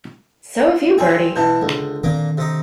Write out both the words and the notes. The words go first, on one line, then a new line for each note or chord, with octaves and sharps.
So have you, Bertie.
C4 G#4 G5 G#5
B2 E3 E4 A5 G6
C#2 D3
A#2 D#3 A#3 C4 D6
C3 D#4